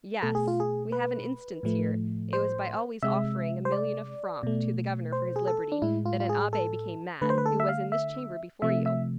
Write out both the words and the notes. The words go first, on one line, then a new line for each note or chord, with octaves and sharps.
"Yes; we have an instance here; it was by always offering a million of francs to the governor for his liberty that an abbe became mad, who was in this chamber before you."
B2 A3 A4
G#4
F4
G#4
B4
A2 F3 A3
C5
C3 G#3 E5
C5
D5
B2 A3
C5
G#4
A4
D4
A2 G#3 E4
F4
F4
G#4
A4
D3 A3 B4
C5
B4
A4
E5
F5
E5
C3 F3 A3 E5
E5